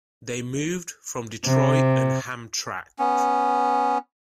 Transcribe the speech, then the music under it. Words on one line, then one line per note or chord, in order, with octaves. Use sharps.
They moved from Detroit and Hamtramck.
C3
B3 C#4